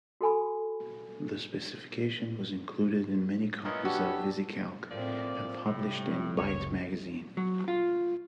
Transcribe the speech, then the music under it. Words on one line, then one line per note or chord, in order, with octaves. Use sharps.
The specification was included in many copies of VisiCalc, and published in Byte Magazine.
F#4 A4 G#5 B5
B3 C#4 E4 F4 A#4 D#5
D4 F#4 G4 E6
A2 F3 A#3 C4 D5
A2 C3 G3
F#1 C#2 C#5
F#3
F4